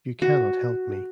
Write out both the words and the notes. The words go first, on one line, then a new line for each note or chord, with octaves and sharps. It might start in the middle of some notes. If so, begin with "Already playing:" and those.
You cannot help me.
F#4